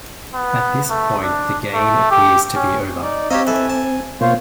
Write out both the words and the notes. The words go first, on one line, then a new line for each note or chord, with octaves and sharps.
At this point, the game appeared to be over.
B3
A3
D4
A3
G4
C#4
D#4 D5
C4 G4 C#5 D#5 F5 A#5 E6
E3 A4 G#5
A5
B2 A#3 F4 C5 C#5